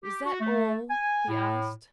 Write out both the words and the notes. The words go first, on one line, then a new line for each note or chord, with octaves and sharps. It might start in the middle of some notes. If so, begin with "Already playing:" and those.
"Is that all?" he asked.
G4
F#4
A3
G#5
A2